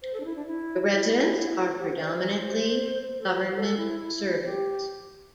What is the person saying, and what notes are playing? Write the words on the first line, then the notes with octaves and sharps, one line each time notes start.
The residents are predominantly government servants.
C5
A4
D4
E4
D4
E4
E4
G4
C5
D5
C5
C5
C5
A4
C5
A4
E4
E4
G4